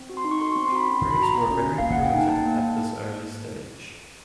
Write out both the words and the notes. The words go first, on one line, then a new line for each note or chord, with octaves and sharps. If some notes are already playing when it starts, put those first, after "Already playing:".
Brakes were very primitive at this early stage.
Already playing: C4
F#4
C6
D#4
C#6
A4 C6
C#6
C4
C6
F#4 B5
C#4 B5
C6
A4
B5
F#4 A#5
C#4 A#5
C#4
A4
A#3 F5
F#5
G#4
G5
D#4 G#5
A#3 A5
A#3